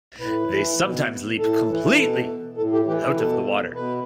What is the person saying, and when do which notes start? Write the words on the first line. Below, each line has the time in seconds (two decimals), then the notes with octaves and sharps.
They sometimes leap completely out of the water.
0.20 A2 B4
0.50 E3
0.80 B2
1.39 A2 A4
1.68 E3
1.98 B2 A4
2.57 A2 A4
2.73 G4
2.87 E3 G4
3.02 B4
3.17 B2 A4
3.76 B2 B4